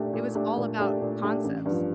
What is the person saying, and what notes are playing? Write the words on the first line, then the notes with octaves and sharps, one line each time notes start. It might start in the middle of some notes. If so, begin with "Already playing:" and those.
It was all about concepts
Already playing: A#2 A3 D4 G4
A#2
A3 D4 G4
A#2
A3 D4 G4
A#2
A3 D4 G4
A1
G2 F3